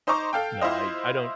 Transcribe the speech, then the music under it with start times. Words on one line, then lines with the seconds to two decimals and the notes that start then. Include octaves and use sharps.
No. I I don't
0.07 D#4 C5 D#5 A#5 C#6 D6
0.33 A4 F5 G5
0.61 E4 F4 C5 D#5